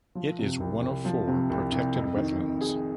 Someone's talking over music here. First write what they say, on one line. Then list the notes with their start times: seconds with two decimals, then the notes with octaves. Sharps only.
It is one of four protected wetlands.
0.15 F3
0.39 C3
0.60 C2
0.82 C2
1.05 F3
1.28 C3
1.50 C2
1.72 C2
1.95 F2
2.16 D#3
2.39 F2
2.61 G#4